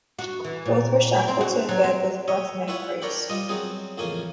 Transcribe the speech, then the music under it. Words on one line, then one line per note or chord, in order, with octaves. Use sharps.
Both were shackled to a bed with a rough neck brace.
F#4
E3
A#2
C4
F#4
F#3
C4
C#5 D#5 E5
E4 F4 B4 C#5 E5 F#5
D4 A#4 C#5 D5 G5 B5
G3 F4 D#5
F#3 B3 C4 G#4
A1 F2 C#3 A#3 C#4 G#5